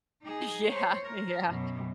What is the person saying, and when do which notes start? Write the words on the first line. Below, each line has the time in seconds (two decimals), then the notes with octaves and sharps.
Yeah, yeah.
0.23 D#4 G#4
0.68 C5 C#5
1.07 A#4
1.47 F#2 B2